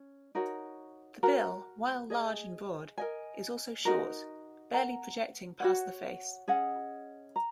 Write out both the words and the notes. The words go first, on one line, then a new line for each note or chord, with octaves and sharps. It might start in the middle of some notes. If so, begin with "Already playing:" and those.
The bill, while large and broad, is also short, barely projecting past the face.
Already playing: C#4
D#4 F#4 A#4 C#5
F#4 A#4 F#5 A#5
G#4 D#5 G#5
A#4 D#5 G#5
D#4 F#4 A#4
A#4 F#5 A#5
F#4 C#5 F#5
C#4 G#4 D#5 F#5
A#5